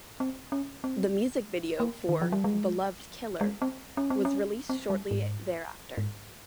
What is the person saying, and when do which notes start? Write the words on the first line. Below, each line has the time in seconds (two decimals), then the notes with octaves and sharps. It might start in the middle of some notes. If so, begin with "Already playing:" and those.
The music video for "Beloved Killer" was released shortly thereafter.
0.20 C4
0.52 C#4
0.84 C4
1.80 A#3
2.09 D#3
2.22 F3
2.32 G3
2.44 G#3
3.41 G#3
3.62 C4
3.97 C#4
4.10 C4
4.25 C#4
4.69 C4
4.90 G3
5.11 G#2
5.97 G#2